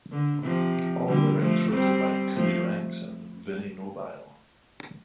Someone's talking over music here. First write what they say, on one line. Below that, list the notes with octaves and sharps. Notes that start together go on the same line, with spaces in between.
All lyrics written by Coolie Ranx and Vinnie Nobile.
D3
C3 F3
D3 G3
F3 A3
G3 C4
F3 A3